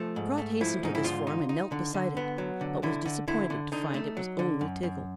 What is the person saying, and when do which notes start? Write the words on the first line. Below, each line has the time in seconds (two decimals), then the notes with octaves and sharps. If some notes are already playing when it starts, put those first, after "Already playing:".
Trot hastened to this form and knelt beside it, but was disappointed to find it was only Tiggle.
Already playing: F3 A3
0.16 G#2
0.38 A3
0.61 F3 E4
0.83 G#2 D#4
0.95 E4
1.04 D3 F4
1.27 D#4
1.49 D#4
1.72 D3
1.94 D3
2.17 B3
2.38 F#3
2.61 D3
2.83 D3 E4
3.05 D3
3.28 D3 E4
3.50 D3
3.72 D3 D#4
3.94 A3
4.17 F#3
4.39 D3
4.61 F#2
4.83 F#2